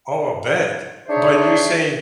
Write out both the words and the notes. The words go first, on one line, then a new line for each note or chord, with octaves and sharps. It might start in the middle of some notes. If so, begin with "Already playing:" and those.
Oh, I'll bet. But you're saying
D4 D#4 G#4 C5 C#5 E5